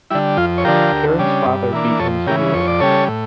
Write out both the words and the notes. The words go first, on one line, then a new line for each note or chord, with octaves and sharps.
Caron's father beat him severely.
D3 G3 E4
F2 F4
C#5
D3 F3 G4 A#4
D2
C#3 G3 D4
G2
E3 A#3 D4
F2 A4 C#5
C#3 E3 G4 A#4
F2 C#5
D5
C#3 G3 A4 C#5
A2